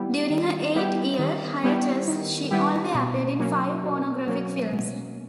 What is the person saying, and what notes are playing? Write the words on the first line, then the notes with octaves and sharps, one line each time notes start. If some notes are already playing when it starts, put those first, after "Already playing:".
During her eight-year hiatus she only appeared in five pornographic films.
Already playing: D#3 G3 B3 E4 G4
D#3
G3 B3 E4 G4
D#3
G3 B3 E4 G4
D#3
G3 B3 E4 G4
B2
F#3 A#3 C#4
B2
F#3 A#3 C#4
B2